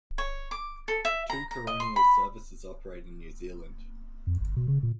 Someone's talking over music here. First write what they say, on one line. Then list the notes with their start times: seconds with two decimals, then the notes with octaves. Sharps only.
Two coronial services operate in New Zealand.
0.18 C#5
0.51 D6
0.88 A4
1.05 E5
1.30 A#5
1.51 A#5
1.67 D#5
1.80 C6
1.96 B5
4.27 F2
4.41 G1
4.57 B2
4.68 C#3
4.83 A#2